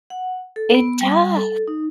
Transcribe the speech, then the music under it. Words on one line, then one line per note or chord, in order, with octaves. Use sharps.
It does.
F#5
A4
B3
G3
A4
D#4